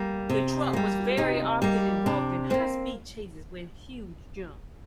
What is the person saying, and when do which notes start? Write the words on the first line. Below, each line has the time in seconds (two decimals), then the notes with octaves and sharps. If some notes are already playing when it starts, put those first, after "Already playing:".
The truck was very often involved in high-speed chases and huge jumps.
Already playing: G3 A#3
0.30 C3
0.73 G3 A#3
1.17 C3 D#4
1.62 G3 A#3
2.06 C3 D4
2.50 G3 A#3 C4